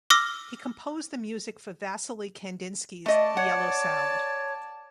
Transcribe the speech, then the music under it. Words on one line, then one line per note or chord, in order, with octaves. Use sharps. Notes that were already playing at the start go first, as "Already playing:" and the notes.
He composed the music for Wassily Kandinsky's "The Yellow Sound".
D6 E6 F6 A#6
A3 D5 D#5 A5
C#5 F#5